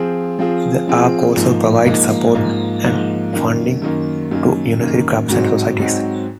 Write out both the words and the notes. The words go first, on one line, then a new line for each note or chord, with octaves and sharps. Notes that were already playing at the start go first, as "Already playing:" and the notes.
The Arc also provides support and funding to university clubs and societies.
Already playing: F3 C4 F4 G#4
F3 C4 F4 G#4
F3 C4 F4 G#4
G#2 F3 A#3 D#4
G#2 F3 A#3 D#4
G#2 F3 A#3 D#4
G#2 F3 A#3 D#4
F#2 D#3 A#3
F#2 D#3 A#3
F#2 D#3 A#3
F#2 D#3 A#3
G#2 F#3 C4 D#4 F#4
G#2 F#3 C4 D#4 F#4